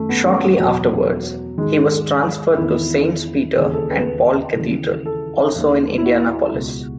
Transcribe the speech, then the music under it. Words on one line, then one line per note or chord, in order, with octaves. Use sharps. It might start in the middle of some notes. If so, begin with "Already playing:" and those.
Shortly afterwards, he was transferred to Saints Peter and Paul Cathedral, also in Indianapolis.
Already playing: F#2 D#3 A3
B3
C#4
E2 B2 F#3
G#2 D#3 G#3
E2 D#3 E4
D#2 C#3 E3 G#4
A4
B4
B4
D#2 C#3 E3
A4
D#2 D#3
E4
F#4
C#2 B2